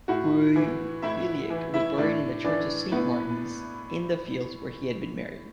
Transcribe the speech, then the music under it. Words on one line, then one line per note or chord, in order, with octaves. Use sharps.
Roubiliac was buried in the church of Saint Martin's-in-the-Fields, where he had been married.
A2 F#4
E3
A2 E4 E5
E3
E4 E5
A2 D4 D5
E3 D4 D5
A2 B3 B4